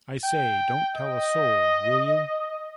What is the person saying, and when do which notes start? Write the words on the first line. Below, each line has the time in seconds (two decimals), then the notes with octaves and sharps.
I say, don't tell a soul, will you?
0.24 G5
0.96 D#5